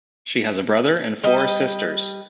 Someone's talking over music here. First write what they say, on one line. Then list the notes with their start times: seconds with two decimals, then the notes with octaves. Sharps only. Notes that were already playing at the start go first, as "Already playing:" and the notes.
She has a brother and four sisters.
1.24 G3 D#5